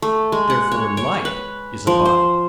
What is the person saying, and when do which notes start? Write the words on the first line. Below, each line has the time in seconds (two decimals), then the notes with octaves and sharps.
Therefore light is a body.
0.02 A3
0.32 G#3
0.50 F#5
0.71 C#5
0.97 C#5
1.25 B4
1.87 F3
2.05 C5